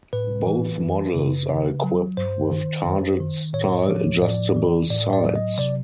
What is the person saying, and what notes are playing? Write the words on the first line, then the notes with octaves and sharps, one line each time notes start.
Both models are equipped with target style adjustable sights.
A2 B4
E3
F#2
C#3
C#3
F#3
G2 C5
D#3
F#2
D#3
A2 C#5
F3
A2 D5
E3
A2 D5
D5
F#3
D#5
C3 D5